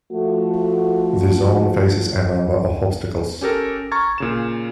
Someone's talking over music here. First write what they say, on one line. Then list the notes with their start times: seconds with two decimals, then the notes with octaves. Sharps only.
The zone faces a number of obstacles.
0.12 F3 A3 F#4
3.41 C#4 G4 A4 A#4
3.92 A#5 C#6 F6 G#6 A6
4.18 A#2 C#3 E7